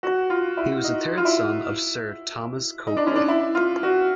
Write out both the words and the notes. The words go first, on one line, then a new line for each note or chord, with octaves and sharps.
He was the third son of Sir Thomas Copley.
F#4
F4
E4
D#4
F4
E4
D#4
D4
C#4
D4
E4
F4
F#4